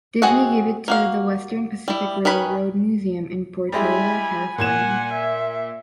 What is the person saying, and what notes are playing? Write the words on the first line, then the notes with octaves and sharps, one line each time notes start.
Disney gave it to the Western Pacific Railroad Museum in Portola, California.
C4 F#4 G#4 D#5 F#5
A#3 F#4 F5
G3 E4
D#3 C#4 B4 B5
G3 G#3 E4 G#5 B5
A#2 F#5 G#5 G#6 E7
E5